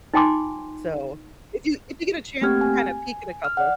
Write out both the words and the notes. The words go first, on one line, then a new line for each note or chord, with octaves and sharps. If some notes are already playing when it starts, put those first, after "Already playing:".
So, if you, if you get a chance to kind of peek at a couple.
D#4 F4 G5 G#5 C6 D6
A3 A#3 C4 G4 F6 G#6
G#5
F6
D5 F#5